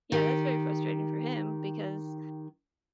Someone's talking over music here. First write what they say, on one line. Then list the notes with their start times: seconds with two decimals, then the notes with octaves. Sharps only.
yeah, that's very frustrating for him because
0.12 D#3 G4